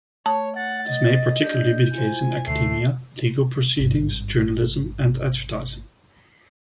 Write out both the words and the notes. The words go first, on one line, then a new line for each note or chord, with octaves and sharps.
This may particularly be the case in academia, legal proceedings, journalism and advertising.
A3 C#5 A5
F#5 A6
D#5
D4 G4 D5 G6
E4 F4 C5 G#5
D2 D3 A3 C7
G#1 G2